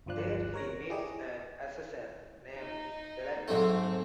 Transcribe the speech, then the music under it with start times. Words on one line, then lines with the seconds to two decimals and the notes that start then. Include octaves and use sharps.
There he meets an assassin named Delilah.
0.06 G1 D2 F3 D5 F#6
0.54 A#4 C#5 A#6
0.89 E4 G4 G#4 D5 D#5
2.52 D#4
3.48 G#2 F#3 A3 C4